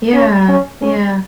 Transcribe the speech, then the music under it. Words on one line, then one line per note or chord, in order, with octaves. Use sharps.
Yeah, yeah.
C#4
C#4
C#4